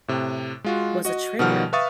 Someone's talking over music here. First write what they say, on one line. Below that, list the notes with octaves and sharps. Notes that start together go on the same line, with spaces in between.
was a trigger."
A2 C3
G#3 F4 F#4
F#4 D#5
B2 D#3 F3 G3 F#5 F6
B4 E5 F5 C#6 D#6 A6